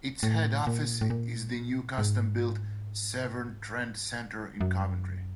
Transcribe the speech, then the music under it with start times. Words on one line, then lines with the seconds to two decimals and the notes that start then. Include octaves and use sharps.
Its head office is the new custom-built "Severn Trent Centre" in Coventry.
0.23 A2
0.67 A#2
1.01 A2
1.10 A#2
1.98 G#2
4.61 F#2